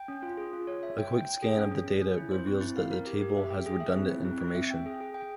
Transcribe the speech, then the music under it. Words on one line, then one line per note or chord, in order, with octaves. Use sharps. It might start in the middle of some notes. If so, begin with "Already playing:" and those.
A quick scan of the data reveals that the table has redundant information.
Already playing: G5
C#4
F4
G#4
F4
C#5
E5
G5
G5
G5
G#4
C#4
C#4
C#4
C#4
E4
C5
C4
E4
F5
A#4
G4
G4
E5
G5
G#4
E5
C4
E4
C4
C4
E5
G5
G#4
G#4
G5